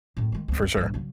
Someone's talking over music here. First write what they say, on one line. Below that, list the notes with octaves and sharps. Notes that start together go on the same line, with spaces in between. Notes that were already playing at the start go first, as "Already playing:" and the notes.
For sure.
F#2 A2
D#3 G#3
D2 B3
C#4
A#1 G2
C#3 F#3